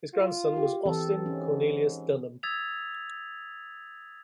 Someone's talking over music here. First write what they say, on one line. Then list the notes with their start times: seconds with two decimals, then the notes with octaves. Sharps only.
His grandson was Austin Cornelius Dunham.
0.14 F4
0.57 G4
0.85 E3 C4 A4
1.26 G#2 C#4
2.43 D#6 E6 G#6 A6 B6 F7